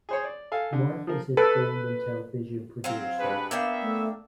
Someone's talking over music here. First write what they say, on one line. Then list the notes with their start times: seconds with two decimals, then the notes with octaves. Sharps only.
Mark is a film and television producer.
0.09 G#4 C5 C#5
0.25 D5
0.52 A4 F5 G#5
0.73 D3
1.07 F3 A#4
1.37 A4 B4
2.84 F#3 C4 F4
3.19 G2 G#4 B4
3.51 A#3 B3 D4 E5 G5
3.82 A3